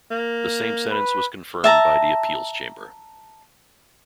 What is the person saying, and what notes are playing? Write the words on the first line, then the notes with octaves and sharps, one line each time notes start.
The same sentence was confirmed by the appeals chamber.
A#3
B4
E5 A5 A#5